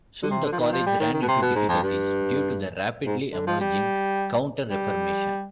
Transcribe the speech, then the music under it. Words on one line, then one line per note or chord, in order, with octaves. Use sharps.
Soon the College ran into difficulties due to the rapidly emerging Counter-Reformation.
D3
C3
D3
F3
D#3
F3
G3
D#3
D#3
B2
C3
B2
G#2
F2
G2
G#2
D3
F3
G3
G3